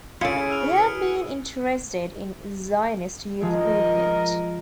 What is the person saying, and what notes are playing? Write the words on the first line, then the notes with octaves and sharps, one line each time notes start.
He had been interested in the Zionist youth movement.
C#3 E4 F4 G#4 A4 C#7 D7
E6 F6 F7
B4 F6 C#7
F3 G#3 A#4 D#5